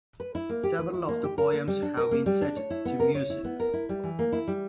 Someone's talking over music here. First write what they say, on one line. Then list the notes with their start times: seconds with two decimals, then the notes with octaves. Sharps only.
Several of the poems have been set to music.
0.20 B4
0.35 E4
0.49 A#3
0.64 G4
0.79 B4
0.94 E4
1.08 A#3
1.24 G4
1.38 A#4
1.53 A#3
1.68 G3
1.82 D4
1.97 A#4
2.11 A#3
2.26 G3
2.42 D4
2.57 C#5
2.70 E4
2.85 B3
3.00 A#4
3.15 C#5
3.30 E4
3.45 B3
3.60 A#4
3.73 E4
3.89 G3
4.03 E3
4.19 A#3
4.32 E4
4.48 G3